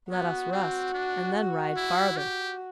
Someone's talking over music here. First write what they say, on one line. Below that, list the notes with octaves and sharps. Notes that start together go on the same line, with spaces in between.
Let us rest, and then ride farther.
B3 F#4
C4
D4
E4
G4